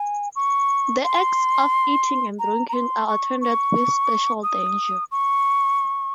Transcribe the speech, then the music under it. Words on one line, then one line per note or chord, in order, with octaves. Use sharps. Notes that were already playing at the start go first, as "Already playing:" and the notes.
The acts of eating and drinking are attended with special danger.
Already playing: G#5
C#6
C6
A#5
A#5
C6
C#6
C#6
D#6
C#6